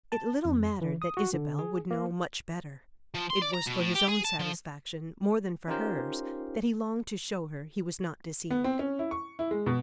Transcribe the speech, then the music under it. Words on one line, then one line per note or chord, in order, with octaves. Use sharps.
It little mattered that Isabel would know much better; it was for his own satisfaction more than for hers that he longed to show her he was not deceived.
A5
F2
E3
D#6
F#4
D3
G#4
A#3
F3
C6
D5
A#5
B2
A2
G4
G#4
A5
F3
C#4 D#4 F4 G4 A#4 C5
B3
C4
C#4
E4
C#6
E4
G#3
B2